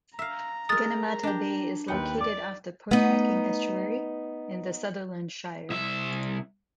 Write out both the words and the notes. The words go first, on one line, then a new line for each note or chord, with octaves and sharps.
Gunnamatta Bay is located off the Port Hacking estuary, in the Sutherland Shire.
E5 F5 A#5
G#3 A#4 D#6 A6
D4 G4
D#2 D#4 B4 G5 C#7
D5 D6
A3 B3 D#4
C2 E5